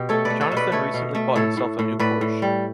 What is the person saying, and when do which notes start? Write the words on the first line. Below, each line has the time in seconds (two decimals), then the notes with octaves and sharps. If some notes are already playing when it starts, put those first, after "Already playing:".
Jonathan recently bought himself a new Porsche.
Already playing: B2 G4
0.09 A3 A4 C#5
0.25 B4 D5
0.30 A3
0.41 A4 C#5
0.52 B2
0.57 B4 D5
0.72 A3 A4 C#5
0.94 B2
1.15 A3
1.36 A2 A4 C#5
1.57 A2
1.79 A2
1.99 A2 B4 D5
2.21 A2
2.42 G3